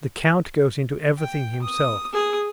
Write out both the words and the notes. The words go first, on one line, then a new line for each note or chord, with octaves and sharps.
The count goes into everything himself.
G5
D#6
G#4 D#6